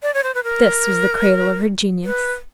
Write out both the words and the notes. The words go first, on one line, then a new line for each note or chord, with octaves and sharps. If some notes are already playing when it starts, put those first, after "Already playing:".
This was the cradle of her genius.
D5
C#5
C5
B4
A#4
B4